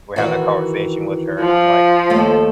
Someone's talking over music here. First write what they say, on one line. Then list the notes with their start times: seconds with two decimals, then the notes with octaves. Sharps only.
we had that conversation with her and I'm like,
0.16 D#3 E3 F#4
1.39 F3
2.10 D#2 A3 A4